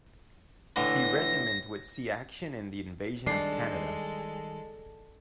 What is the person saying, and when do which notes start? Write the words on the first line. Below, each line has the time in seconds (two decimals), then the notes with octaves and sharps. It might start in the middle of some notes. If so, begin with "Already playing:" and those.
The regiment would see action in the Invasion of Canada.
0.76 A2 D3 E3 A#6
3.26 D#3 G3 G#3 D4 A4 C7